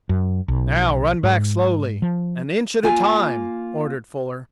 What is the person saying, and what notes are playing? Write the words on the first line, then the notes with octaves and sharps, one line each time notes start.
"Now run back slowly--an inch at a time," ordered Fuller.
F#2
B1
G#2
F3
A#3 F4 G#5